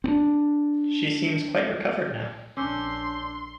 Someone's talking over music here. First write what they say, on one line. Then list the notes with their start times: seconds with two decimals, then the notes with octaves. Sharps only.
She seems quite recovered now.
0.04 C4 D4
2.57 A#1 C#4 D4 C6 D6 E6 G6